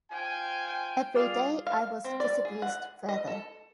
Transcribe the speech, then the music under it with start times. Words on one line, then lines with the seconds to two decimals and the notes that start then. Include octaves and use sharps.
Everyday I was disabused further.
0.11 F4 C5 G5 G#5
0.67 G5
1.15 G3 F4 G#4 D5 F5
1.67 F5
2.05 C4
2.20 D5
2.45 G#4
2.62 F#5
3.09 D#5
3.27 A4